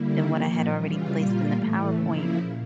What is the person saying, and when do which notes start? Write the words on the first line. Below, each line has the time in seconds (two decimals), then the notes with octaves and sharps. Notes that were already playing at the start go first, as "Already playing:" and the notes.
than what I had already placed in the PowerPoint,
Already playing: D3 G3 A#3 E4
0.27 A#2 F3 A#3
0.69 C#3 E3 G3 F4
1.10 A#2 G3 A#3 F4
1.52 A2 E3 A3
1.94 C#3 F3 A#3 E4
2.35 A#2